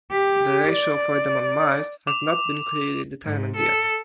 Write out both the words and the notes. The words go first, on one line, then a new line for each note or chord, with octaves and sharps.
The ratio for them on Mars has not been clearly determined yet.
G4
D5
D6 F7
G#2
A4